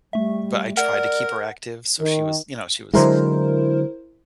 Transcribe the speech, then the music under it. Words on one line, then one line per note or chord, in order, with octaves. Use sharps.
but I tried to keep her active, so she was you know, she was,
G3 A3 E5
A#4 D5 F#5
D#3
D3 F#3 G#3 E4 A#4 C5